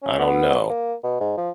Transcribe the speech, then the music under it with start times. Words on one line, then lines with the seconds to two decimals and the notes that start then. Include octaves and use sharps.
I don't know,
0.03 C#4
0.19 B3
0.69 A#3
1.04 B2
1.20 G#2
1.38 F3